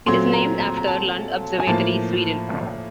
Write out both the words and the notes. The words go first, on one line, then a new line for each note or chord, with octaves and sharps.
It is named after Lund Observatory, Sweden.
A#2 F#3 A3 C4 C6
A#5
A#5
A#5
A5
G#5
A2 F3 A#3 A5